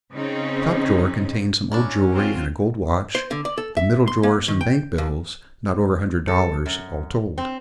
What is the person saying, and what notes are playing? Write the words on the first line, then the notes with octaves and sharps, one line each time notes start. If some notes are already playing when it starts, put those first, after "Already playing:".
The top drawer contained some old jewelry and a gold watch, the middle drawer some bank bills, not over a hundred dollars, all told.
C#3 C4 C#4 D#4
C#4 D4 E4 A#4
F#3 C4 F4
C5
D3
D5
A4
E5
C6
A#3
D#3
G5
D#2
A4
F#2
C4